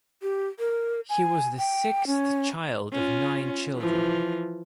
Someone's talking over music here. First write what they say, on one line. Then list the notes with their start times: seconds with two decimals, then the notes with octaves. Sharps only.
He was the sixth child of nine children.
0.22 G4
0.59 A#4
1.10 G#5
1.58 G5
2.07 C#4
2.92 C#4 F4
3.76 E3 F3